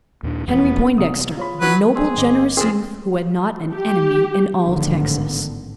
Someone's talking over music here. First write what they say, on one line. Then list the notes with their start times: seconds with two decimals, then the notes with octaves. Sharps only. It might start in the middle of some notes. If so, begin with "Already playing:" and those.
Henry Poindexter--the noble generous youth who had not an enemy in all Texas!
0.23 D#2 A#2 D4
0.48 E1 F2 E3 B3
0.98 C2 D#6
1.37 F4 C#5 B5
1.61 F#3 B4
1.95 C4 G#4
2.17 G1 D#5 D6
2.57 F2 C4 G#4
3.74 G4
4.62 A1 G#2 D3 D#3 F3 B3